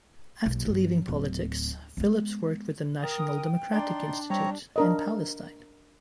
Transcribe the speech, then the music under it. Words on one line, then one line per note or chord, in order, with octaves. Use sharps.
After leaving politics, Phillips worked with the National Democratic Institute in Palestine.
B1 A#3
G1 F#3
D1
G#3 B3
A#4 G5 D#6
D4 D#4 D5 C6
G3 C4 C#5 A#5
D4 A#4 D#5